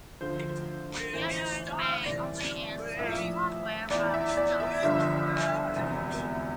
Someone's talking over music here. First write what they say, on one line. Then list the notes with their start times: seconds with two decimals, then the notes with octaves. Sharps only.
Users may only install software from Windows Store.
0.21 D2 D3 F3 C5
1.13 A1 A2 E3 C5
2.06 C2 C3 E3 D5
2.98 A#1 A2 F3 E5
3.90 E2 E3 D5
4.14 E5
4.37 D5
4.60 E5
4.83 G1 G2 D3 F3 E5
5.76 E1 E2 C3